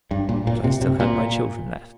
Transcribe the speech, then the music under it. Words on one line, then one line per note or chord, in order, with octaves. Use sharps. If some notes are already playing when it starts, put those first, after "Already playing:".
But I still had my children left.
G2
A#2
A#2
C3
C3
A#2